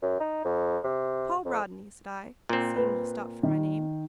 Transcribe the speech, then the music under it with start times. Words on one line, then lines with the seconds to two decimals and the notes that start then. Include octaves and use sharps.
"Paul Rodney," said I, seeing he stopped for my name.
0.02 F#2
0.20 D#4
0.45 F2
0.84 C3
1.45 F2
2.49 A#2 C4
2.76 B4
3.43 D#3